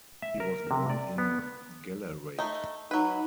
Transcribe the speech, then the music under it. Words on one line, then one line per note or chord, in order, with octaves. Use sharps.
He was born in Gallarate.
E5
A#4
C3
D5
B3
A3 D#4
F#3 D#4 B4